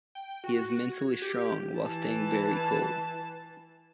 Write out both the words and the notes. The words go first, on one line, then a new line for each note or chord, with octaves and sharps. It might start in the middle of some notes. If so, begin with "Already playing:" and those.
He is mentally strong while staying very cold.
G5
F#4
G#6
G4
E3 A5